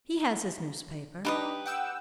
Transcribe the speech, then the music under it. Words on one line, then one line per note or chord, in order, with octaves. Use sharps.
He has his newspaper.
D4 D#4 G4 B4 D#6
F#5 G5 E6